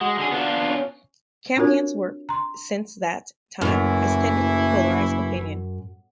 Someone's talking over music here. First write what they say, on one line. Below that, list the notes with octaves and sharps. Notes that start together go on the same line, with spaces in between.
Campion's work since that time has tended to polarize opinion.
G#3 F#4
D3 G#4
B3 D4 F4
C#4
C4 D4 F4 F#4 A#4 C#5
A#5 C6
F#1 F#2 E3 A3 E4